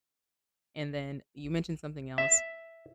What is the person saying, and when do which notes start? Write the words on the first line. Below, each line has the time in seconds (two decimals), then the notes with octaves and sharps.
And then you mentioned something else
2.18 E5